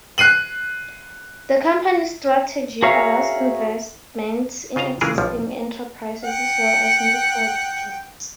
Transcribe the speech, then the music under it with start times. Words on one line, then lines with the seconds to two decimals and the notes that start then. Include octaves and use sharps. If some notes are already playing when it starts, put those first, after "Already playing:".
The company's strategy allows investments in existing enterprises as well as new projects.
0.18 F#6 C7 D#7 F#7
2.83 F#4 G#4 A#4 C#5 E5 F5
4.76 C#3 F4 D#5 F5 A#5
5.01 C#3 E3 G#3 F4 G#4 A#4
5.18 B1 F3 G3
6.24 F#5 G5